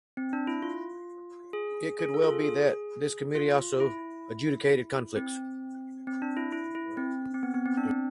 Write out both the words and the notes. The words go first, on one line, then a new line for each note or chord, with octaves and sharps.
It could well be that this committee also adjudicated conflicts.
C4
D4
E4
F4
G#4
G#4
A4
F4
G#4
G#4
F4
E4
C4
C4
D4
E4
E4
E4
C4
C4
B3
B3
C4
D4
C4